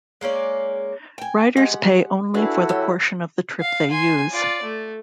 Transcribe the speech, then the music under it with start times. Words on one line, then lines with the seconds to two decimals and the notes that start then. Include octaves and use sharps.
Riders pay only for the portion of the trip they use.
0.21 G#3 A#3 C#4 D5
1.18 G5 G#5
1.56 G#3 G4 F#5
2.34 D4 E4 F#4 G#4 A4 B4
2.69 F#3 G4
3.60 F5
3.91 G#5 C6
4.31 F4 D5
4.63 A3